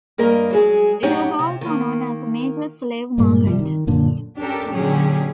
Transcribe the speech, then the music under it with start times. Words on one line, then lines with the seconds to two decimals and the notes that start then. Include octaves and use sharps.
It was also known as a major slave market.
0.18 G2 A#3 A#4 D#5
0.51 F#3 G#3 G#4
1.03 F#2 A2 D#4 G4 C#5 F#5
1.39 C3
1.61 D#3 A#3
3.18 G2 A#2 G#3 A#3
3.46 C3 F3 G3
3.59 D#3
3.87 F#2 A#2 D3
4.38 C#4 D4 G4 A4 A#4
4.69 A#2 D3 F#3 C#4 G4 G#4